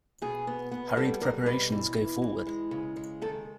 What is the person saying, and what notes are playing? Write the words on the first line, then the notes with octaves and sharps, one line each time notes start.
Hurried preparations go forward.
B2 G#4
B3
B3
G3 A4
G3 A#4
B2 B4
E3
E3
E3
G#3
C#3
G#3
D#3 A4